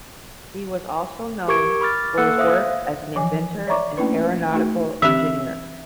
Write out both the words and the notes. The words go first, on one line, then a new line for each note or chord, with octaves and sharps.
He was also known for his work as an inventor and aeronautical engineer.
G4 A#4 C#6 D6 G#6 D7
B5 D6 F6 A6
A#3 A4 F#5 E6 F#6 C#7
C5 E5 F5 D#6
E3 F3 G#5
C#5 D5 E5 A#5 C#6 D6
A3 A#3 C#4 D4 E4 B4
A3 D#4 F#4 G#4
E3 C4 G4 E5